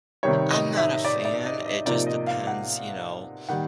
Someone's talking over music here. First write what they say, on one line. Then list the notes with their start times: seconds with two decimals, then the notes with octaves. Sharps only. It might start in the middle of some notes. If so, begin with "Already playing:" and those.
I'm not a fan. It just depends, you know, f
0.23 C3 D#3 G3 C#5
0.50 D#5
0.77 E5
1.05 D5
1.25 D5
1.46 D#5
1.66 D#5
1.86 C3 F3 A#3 D#4 D5
2.07 D#5
2.27 F5
2.47 F#5
3.49 D#3 G3 A#3 F#5